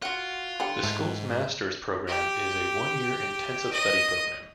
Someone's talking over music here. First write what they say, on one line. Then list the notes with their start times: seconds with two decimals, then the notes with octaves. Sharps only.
The school's master's program is a one-year intensive study program.
0.02 F4 F#4 F#5
0.60 D3 G3 F#5 G5
0.83 G#2 A3
2.08 G4
3.73 D#5